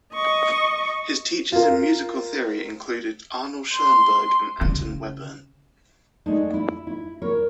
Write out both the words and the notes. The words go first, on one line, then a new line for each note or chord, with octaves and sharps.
His teachers in musical theory included Arnold Schoenberg and Anton Webern.
D#5 C#6
F4 A#4
C6
C#3
G#3 A3 D4 D#4
E4
E4
A#4 C#5